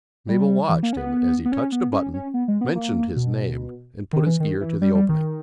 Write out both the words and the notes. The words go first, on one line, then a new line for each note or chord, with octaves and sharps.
Mabel watched him as he touched a button--mentioned his name, and put his ear to the opening.
G3
E3
A#3
C#4
B3
B3
C#4
B3
C#4
C#4
B3
G#3
B3
A#3
B2
D#3
E3
D#3
E3
G3
G3
D#3